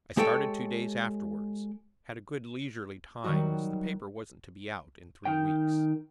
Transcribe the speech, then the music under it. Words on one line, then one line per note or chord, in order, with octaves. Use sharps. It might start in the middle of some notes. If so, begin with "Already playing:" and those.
I started two days afterwards; had a good leisurely time, as the paper wasn't to be out in three weeks.
G#3 G4 A4 C#5 G5
D#3 F#3 G3 F#4
D#3 G5